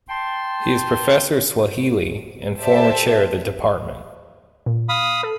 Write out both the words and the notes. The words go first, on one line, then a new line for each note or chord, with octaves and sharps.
He is Professor of Swahili and former chair of the Dept.
G5 A5 C6
G4 A4 C5 D5 E5 A5
A#2
F5 B5 D#6
A4